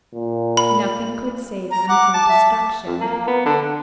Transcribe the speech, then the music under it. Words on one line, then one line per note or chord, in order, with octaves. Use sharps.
Nothing could save them from destruction.
A#2
B5
A#5
F#5 D6
A5
E5
F2
A#3
B3
D3
D3